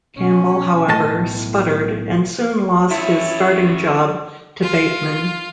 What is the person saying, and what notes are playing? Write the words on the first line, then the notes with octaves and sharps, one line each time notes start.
Campbell, however, sputtered, and soon lost his starting job to Bateman.
B2 C#4
B1 A2 D#5 A5
G2 C#4 E4 A4 C#5
F4